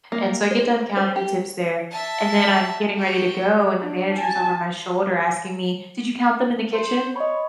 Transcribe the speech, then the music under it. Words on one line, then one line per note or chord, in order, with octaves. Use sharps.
And so I get done counting the tips there, and then I'm getting ready to go, and the manager's over my shoulder asking me, "Did you count them in the kitchen?"
A#3
C5
C5
G4
E5 A5
F#4 G4
D4
G#5 A5
C5
C#5 D#5 B5